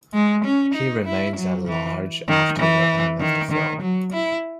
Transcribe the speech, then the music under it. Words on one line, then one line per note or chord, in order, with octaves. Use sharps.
He remains at large after the end of the film.
G#3
C#4
D#4
E4
F#3
E3
D#3
E3
D#3
D#3
F#3
E4